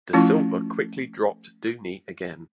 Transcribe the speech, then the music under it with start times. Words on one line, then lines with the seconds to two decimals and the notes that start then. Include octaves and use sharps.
Da Silva quickly dropped Dooney again.
0.13 F3 A3 C#4 E4 F4